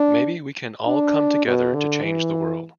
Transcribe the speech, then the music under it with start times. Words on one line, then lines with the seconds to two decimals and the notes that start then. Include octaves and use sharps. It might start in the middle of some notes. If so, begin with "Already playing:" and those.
Maybe we can all come together to change the world.
Already playing: D4
0.87 D4
1.46 B2
1.75 D3
2.03 E3